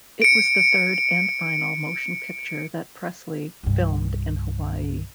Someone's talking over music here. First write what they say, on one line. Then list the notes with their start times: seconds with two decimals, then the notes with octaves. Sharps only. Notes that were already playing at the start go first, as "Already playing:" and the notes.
It was the third and final motion picture that Presley filmed in Hawaii.
0.22 C#7 D7
3.63 C2 G2